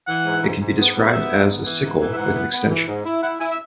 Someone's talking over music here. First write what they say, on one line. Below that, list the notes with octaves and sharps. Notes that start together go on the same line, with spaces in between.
It can be described as a sickle with an extension.
E3 F#5
G#2
G#2
G#2
B3
G#2
F#5
B3 E5
G#2
B3
E3
G#2
E3
E5
G#2 F#5
B3
B3
E3
G#2
E4
E4 F#5
E4 G#5
E5